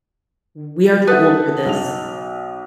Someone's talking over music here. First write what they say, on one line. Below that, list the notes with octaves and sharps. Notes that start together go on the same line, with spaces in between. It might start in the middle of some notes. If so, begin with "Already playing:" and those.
We are too old for this
A4 B4 E5 F#5 D#6
B1 D#4 F7